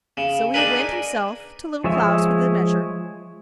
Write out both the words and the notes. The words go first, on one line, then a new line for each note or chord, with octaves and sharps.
So he went himself to Little Klaus with the measure.
C#3
D4 D#4 G#4 A#4 B4
F3 G#3 G#4 C#5 E5